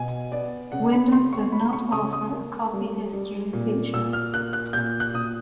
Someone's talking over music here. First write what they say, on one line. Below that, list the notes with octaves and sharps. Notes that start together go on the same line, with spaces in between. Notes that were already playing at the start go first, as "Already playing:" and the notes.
Windows does not offer a copy history feature.
Already playing: B2 G#5
B3 D5
C#3 F#5
B5
A3 C6
C#6
A3 B5
C#6
C#3 D#6
D#6
A#3
G3
G3
A#2
A#2 E6
F6
A#3 F#6
F#6
A#2 G6
F#6
A#2 D#6